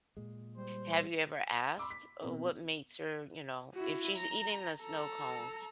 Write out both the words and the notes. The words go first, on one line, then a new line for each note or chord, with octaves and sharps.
have you ever asked, uh, what makes her you know if she's eating the snow cone,
A#2 G#3
G3 C5
B5 C6 D6 E6
B6
B2 C4 A#4
E4 F#4
A#5
A4 A#5